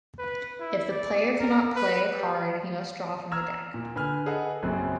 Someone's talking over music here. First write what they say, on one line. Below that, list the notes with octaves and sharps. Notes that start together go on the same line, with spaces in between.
If the player cannot play a card, he must draw from the deck.
B4
E4
D5
A#4
B4
G3
A#5 E6 F6 G#6 E7
A#2
D3 B4 G#5 F6
G#4 A4 B4 D#5 F#5
A#1 F#2 C#3 C4 F#6